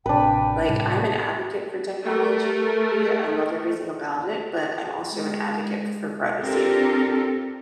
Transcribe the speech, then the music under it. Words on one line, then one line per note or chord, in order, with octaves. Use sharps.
Like, I'm an advocate for technology, I love everything about it, but I'm also an advocate for privacy.
A1 C3 D4 B4 G5
A2 C3 G3 A5
A3 A#4
G#3
C4 D4 F4 G4 A4 A#4